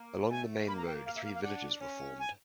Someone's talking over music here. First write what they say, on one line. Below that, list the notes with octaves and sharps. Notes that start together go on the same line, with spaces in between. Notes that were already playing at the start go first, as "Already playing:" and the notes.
Along the main road three villages were formed.
Already playing: A#3
A3 G#5
A#3 B5
A#5
G5
A#3 F5
E5
F5
F5
D4 F#5
C#4
G#5